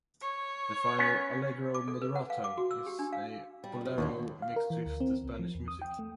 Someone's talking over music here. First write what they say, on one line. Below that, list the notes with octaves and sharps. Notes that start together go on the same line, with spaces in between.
The final, "allegro moderato", is a "bolero" mixed with the Spanish music.
C#5
B3 C#4
D6
A4
B4
F#5
F5
D6
F#4
E6
G4
D4
F5
G3
F#2 C#3
D#2 D3 E3 F#3
F5
A#4
E3
D2
C4
C2
F3
E2
D#6
G5
A3